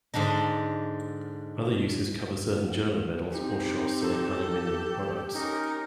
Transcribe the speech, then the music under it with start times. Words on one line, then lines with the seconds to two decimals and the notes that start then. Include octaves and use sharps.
Other uses cover certain German medals or shops selling aluminium products.
0.14 G#2 D3 D4 D#4
3.31 C4 D#4 G4
4.02 A4
5.34 C#4 D#4 A#4